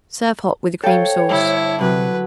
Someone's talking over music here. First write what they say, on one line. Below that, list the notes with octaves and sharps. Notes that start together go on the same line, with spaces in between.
Serve hot with a cream sauce.
A4 C5 C#5 F5 G5
G2 D3 E4
C3 F#3 B4